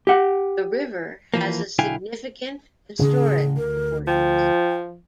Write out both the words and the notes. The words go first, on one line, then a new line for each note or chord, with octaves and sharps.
The river has a significant historic importance.
G4 F#5
E3 F3 A#3
B1 D3 E4 F5 G5 G#5
A1 C#3 C#4 G#4
D2 A#4
F3 G5